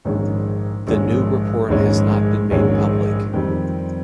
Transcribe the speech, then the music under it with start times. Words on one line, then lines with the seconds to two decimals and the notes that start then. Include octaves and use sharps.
The new report has not been made public.
0.05 A#1 G#2 D#3 G#3 C#4
0.87 A#1 G#2 D#3 G#3 C#4
1.68 A#1 G#2 D#3 G#3 C#4
2.51 A#1 G#2 D#3 G#3 C#4
3.33 F2 D#3 G3 C4